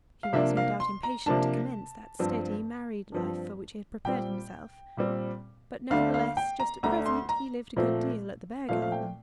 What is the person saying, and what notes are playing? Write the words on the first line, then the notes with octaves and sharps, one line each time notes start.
He was no doubt impatient to commence that steady married life for which he had prepared himself. But nevertheless, just at present, he lived a good deal at the Beargarden.
F5
C3 F3 A#3 D4 E5
F5
C6
A#5
C3 F3 A#3 D4 A5
G2 F3 C4
G2 F3 C4
A#2 G3 C4 G5
A#2 G3 C4
D2 D3 A3 D4 F5
F5
G5
A#5
D2 D3 A3 D4 A#5
C6
A#5
A#2 F3 A3 C4
A#2 F3 A3 C4 F5
F5
G5